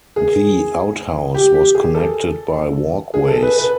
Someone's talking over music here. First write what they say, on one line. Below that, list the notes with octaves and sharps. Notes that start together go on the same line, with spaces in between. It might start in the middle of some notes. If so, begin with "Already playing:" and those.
The outhouse was connected by walkways.
G#4
G4
G4
G#4
A4
G#4
A4
B4
B4